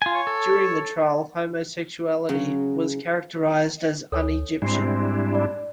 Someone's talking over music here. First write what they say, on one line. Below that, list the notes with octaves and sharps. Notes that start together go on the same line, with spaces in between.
During the trial, homosexuality was characterized as "un-Egyptian".
F4 G#5
C#5
A4
C#3 F#3
D2 A4 C#5 G#5
G#2 G3 G#3 C4 D4 E4 C5
D5